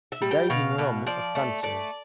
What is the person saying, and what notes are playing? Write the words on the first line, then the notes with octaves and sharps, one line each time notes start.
He died in Rome of cancer.
E5
G3
G5
B2 F5
B2
F3 D5
A3
A3 D5